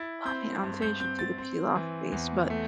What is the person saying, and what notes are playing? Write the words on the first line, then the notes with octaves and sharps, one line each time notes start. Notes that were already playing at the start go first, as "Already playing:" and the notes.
I mean, I'm say you should do the peel off base, but
Already playing: E4 A6
C4 G6
G2
G6
C4 G6
A6
C4
E3
E2
A3